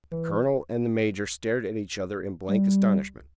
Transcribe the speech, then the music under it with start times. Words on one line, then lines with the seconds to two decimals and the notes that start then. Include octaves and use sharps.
The colonel and the major stared at each other in blank astonishment.
0.11 E3
2.49 G3